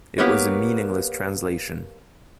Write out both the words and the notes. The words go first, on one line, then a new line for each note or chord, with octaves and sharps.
It was a meaningless translation.
A#3 B3 G4 A#4 B4 C#5